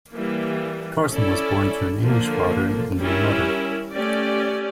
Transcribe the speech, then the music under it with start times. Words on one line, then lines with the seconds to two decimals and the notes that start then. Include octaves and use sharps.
Carson was born to an English father and Indian mother.
0.13 E3 G3 A#3
1.08 C#4 E4 A4 D5
2.03 D3 F3 A#3
2.97 G3 C#4 E4 A#4
3.92 A3 C#4 G4 D5